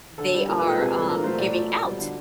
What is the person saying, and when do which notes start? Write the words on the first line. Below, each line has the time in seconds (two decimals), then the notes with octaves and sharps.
they are, um, giving out,
0.18 D3 A4
0.33 G3
0.48 A#2 A#4
0.58 B4
0.64 F3 G#3 A4
0.78 C3 G#4
0.93 E3 G3 A4
1.09 A#2 A#4
1.23 F#3 A3 C5
1.38 A2 D5
1.53 F3 A3
1.69 B2
1.83 G3
1.99 D3